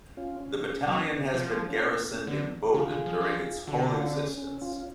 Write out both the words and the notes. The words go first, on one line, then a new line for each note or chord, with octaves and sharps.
The battalion has been garrisoned in Boden during its whole existence.
C#4 F4
C#4
C#4
F#3 B3
C#4
B3 D4
C#4
F3 B3
B3
C#4 F4
C#4
B3
C#4
D3 B3 D4
F#4
C#3 F4 G#4
D3
F3
F3
D3 F#4 A4
D4 F#4
C#4 F4
C#4
C#4
C#4 F4
F4